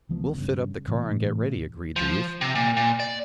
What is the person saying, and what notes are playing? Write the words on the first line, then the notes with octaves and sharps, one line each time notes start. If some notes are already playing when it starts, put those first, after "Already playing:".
"We'll fit up the car and get ready," agreed the 'youth.
C#2 E3 F3 B3
G2 C#3
A2 C3 E3 A3
F3
C3
A#2
A#2
D5